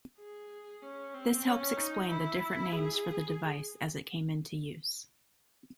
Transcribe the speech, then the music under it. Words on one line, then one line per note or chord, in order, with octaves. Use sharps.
This helps explain the different names for the device as it came into use.
G#4
C#4
C4
C#4
D#4
E4
G#4